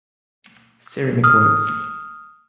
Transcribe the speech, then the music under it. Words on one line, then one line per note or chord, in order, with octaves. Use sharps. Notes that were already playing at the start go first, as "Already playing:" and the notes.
Ceramic works.
D#6 F6